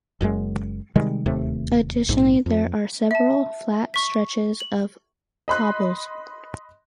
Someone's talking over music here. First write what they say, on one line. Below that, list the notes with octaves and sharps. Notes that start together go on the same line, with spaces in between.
Additionally, there are several flat stretches of cobbles.
F#1 F#2 C#3 G#3
C3 D#3 G3 G#3
D1 D#2 C3 A3
A#1 G#2
F2
E5 A5
C#6 B6
F#7
D#5 B5 C6 F#6